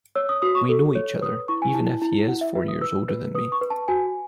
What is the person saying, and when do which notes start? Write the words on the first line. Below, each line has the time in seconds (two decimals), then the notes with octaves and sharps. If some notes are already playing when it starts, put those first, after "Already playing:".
We know each other, even if he is four years older than me.
0.15 C#5 E6
0.29 D#6
0.42 F#4 D#6
0.55 C#6
0.69 A4
0.95 C#5
1.21 B4 D#6
1.48 E4 C#6
1.62 G#5
1.74 E4 A5
2.02 E4
2.28 E4 F#5
2.41 E5
2.55 B4 E5
2.68 D#6
2.81 B4 E6
3.09 B4
3.35 B4 D#6
3.52 C#6
3.61 B4
3.70 A5
3.88 F#4 G#5